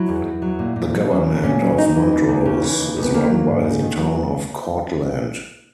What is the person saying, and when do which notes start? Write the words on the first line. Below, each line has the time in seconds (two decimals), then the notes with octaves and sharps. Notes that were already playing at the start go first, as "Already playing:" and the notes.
The government of Montrose is run by the Town of Cortlandt.
Already playing: F#3 E4
0.09 E2
0.25 E2
0.42 F#3
0.59 A#2
0.76 A#2
0.93 F#3
1.10 F#3 C#4
1.27 A#2
1.43 A#2 C#4
1.61 F#3
1.78 C#3 D#4
1.95 E3
2.12 D#2
2.29 D#2
2.46 C#3
2.63 E3
2.79 D#2
2.97 D#2
3.02 B3
3.14 D#3 A#3
3.30 F#3
3.48 G#2
3.65 G#2
3.81 D#3
3.98 F#3